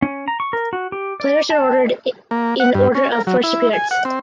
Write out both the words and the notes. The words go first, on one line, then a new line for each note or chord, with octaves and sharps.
Players are ordered in order of first appearance.
C#4
A#5
C#6
A#4
F#4
G4
D5
A5
A#3
F#5
G2
C#4
A#4
F#3
E4
G#5
F#5
C4